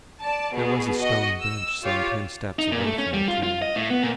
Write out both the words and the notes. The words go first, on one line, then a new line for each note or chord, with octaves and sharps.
There was a stone bench some ten steps away from the tomb.
D5 A5
B2 G#4
F#4 D#5
E6
F4 G4 C#5 F5
D#4
A#2
A3
C#4
G3
F4
F4
D#5
A2
B3
A#2